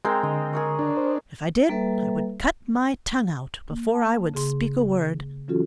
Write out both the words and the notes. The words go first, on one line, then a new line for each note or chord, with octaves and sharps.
If I did, I would cut my tongue out before I would speak a word.
G#3 C4 A#4 G5
D3 D#5
G#4 A#4 C#5
D4
C5
G3 A#3 A4 B4 E5
A#3
A5
C#3 G#4 C6
E3 F#3 C#4 F4 F#4 A4